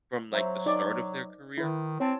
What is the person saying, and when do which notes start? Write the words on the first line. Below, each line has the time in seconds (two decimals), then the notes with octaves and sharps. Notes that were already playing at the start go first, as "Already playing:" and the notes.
from, like, the start of their career
0.33 F#3 C5 E5 A#5
0.66 D#4 D5
1.58 D#3 E4 B4
2.00 C4 C#5 A5